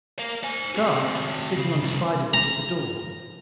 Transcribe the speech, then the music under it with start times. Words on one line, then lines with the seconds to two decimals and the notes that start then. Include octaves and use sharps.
"The guard was sitting on the spider bridge at the door."
0.19 A#4 F5
0.43 C5 G#5
0.75 C4 F#4
1.57 C#3
1.82 C2
2.33 A#5